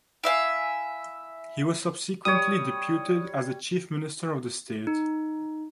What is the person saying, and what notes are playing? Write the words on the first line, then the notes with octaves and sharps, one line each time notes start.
He was subsequently deputed as the Chief Minister of the State.
E4 E5 F5 G#5
G3 C#5 D#6
D#4